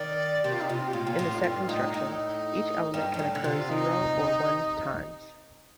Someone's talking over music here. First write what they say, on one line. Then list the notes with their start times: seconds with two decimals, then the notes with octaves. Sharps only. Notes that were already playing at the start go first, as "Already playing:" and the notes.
In the set construction, each element can occur zero or one times.
Already playing: D#3 D5
0.43 C3 G4
0.52 F4
0.61 D#4
0.69 C3 F4
0.88 G4
0.93 A2 F4
1.07 A#2
1.19 A2
1.35 D#4
1.44 G2 F4
1.68 A2 D#4
1.93 A2 D#4
2.94 G2
3.14 G2
3.19 A2
3.35 D3
3.44 C3 F4
3.69 D#4